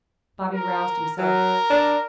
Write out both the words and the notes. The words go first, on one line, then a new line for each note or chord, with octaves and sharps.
Bobby roused himself.
A#4
F#3 A#4
D4